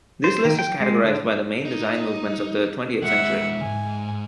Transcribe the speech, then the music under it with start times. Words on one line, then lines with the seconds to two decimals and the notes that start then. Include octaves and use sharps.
This list is categorized by the main design movements of the twentieth century.
0.24 C5
0.45 D#3
0.59 G5
0.80 G#3
1.04 D3
1.65 D#4
3.02 G#3 E4 E5 F#5
3.62 D2 G#2 G#5